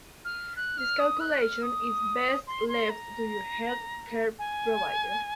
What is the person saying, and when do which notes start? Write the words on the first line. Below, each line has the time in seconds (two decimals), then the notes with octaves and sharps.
This calculation is best left to your health care provider.
0.25 F6
0.56 F#6
0.78 F6
0.99 D#6
1.20 F#6
1.41 F6
1.62 D#6
2.47 C6
2.69 C6
2.90 A#5
4.39 G#5